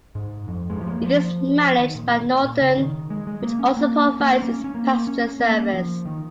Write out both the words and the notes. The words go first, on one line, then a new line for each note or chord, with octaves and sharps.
It is managed by Northern, which also provides its passenger service.
G#2
F2
G#3
F3
G#3
A#3
F3
D#3
A#2
A#2
C#3
D#3
G#3
G#3
A#3
C#4
A#3
C#4
A#3
C#4
A#3
C#4
C#4
A#3
C#4
A#3
F3
D#3